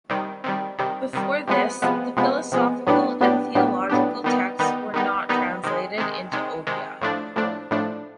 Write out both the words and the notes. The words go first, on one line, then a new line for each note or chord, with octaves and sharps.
Before this the philosophical and theological texts were not translated into Odia.
C3 D#3 G3
C3 D#3 G3
C3 D#3 G3
C3 D#3 G3
C3 F3 G#3 B3
C3 F3 G#3 B3
C3 F3 G#3 B3
C3 F3 G#3 B3
A2 F#3 B3 D4 G4
A2 F#3 B3 D4 G4
A2 F#3 B3 D4 G4
A2 F#3 B3 D4 G4
D#3 G3 B3 D#4
D#3 G3 B3 D#4
D#3 G3 B3 D#4
D#3 G3 B3 D#4
C3 D#3 G#3
C3 D#3 G#3
C3 D#3 G#3
C3 D#3 G#3
A2 F3 A3 D4
A2 F3 A3 D4
A2 F3 A3 D4